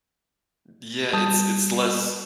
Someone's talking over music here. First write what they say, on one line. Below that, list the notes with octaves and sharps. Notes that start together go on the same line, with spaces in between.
Yeah, it's it's less
G3 A5 D#6 G6